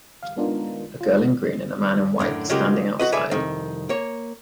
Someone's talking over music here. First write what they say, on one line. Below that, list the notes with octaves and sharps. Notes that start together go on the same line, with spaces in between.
A girl in green and a man in white are standing outside.
F5
G#3 B3 D4 D#4 F4 A#4
F4
F#2 A2 D3
C#3 F#3 G#3 A#3 F4 G4
F#4 B4 D#5
G#4 A4 B4 D5 E5 G#5
C2 F2 D#3
A#3 C#5